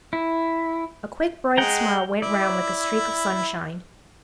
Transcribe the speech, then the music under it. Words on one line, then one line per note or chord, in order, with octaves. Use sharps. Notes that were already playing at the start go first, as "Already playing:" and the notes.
A quick, bright smile went round like a streak of sunshine.
E4
G#3 F#5 G5 A#5
E4 D5